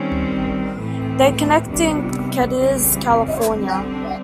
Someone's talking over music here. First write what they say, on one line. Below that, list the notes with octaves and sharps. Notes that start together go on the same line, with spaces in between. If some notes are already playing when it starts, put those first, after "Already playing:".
They connect in Cadiz, California.
Already playing: D#3 G3 C4 C#4
A2 E3 A3 C4
C3 D#3 G3 B3 D4
C#3 E3 G3 C4
D3 G3 C4
D4